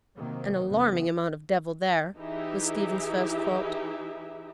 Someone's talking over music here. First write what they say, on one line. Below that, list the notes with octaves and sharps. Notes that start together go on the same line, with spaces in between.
"An alarming amount of devil there," was Stephen's first thought.
C3 D#3 F#3 A#3 C4
F#1 F2 C#3 B3
E3 D#4 E4 G4 G#4 E5